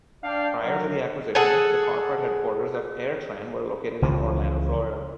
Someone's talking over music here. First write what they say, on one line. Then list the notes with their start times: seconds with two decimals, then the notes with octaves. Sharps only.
Prior to the acquisition, the corporate headquarters of AirTran were located in Orlando, Florida.
0.24 D4 D5 F5 G5
0.62 F#3 A#4
1.35 G#4 A4 F#5 G#5
4.02 C#2 C#3 E3 F3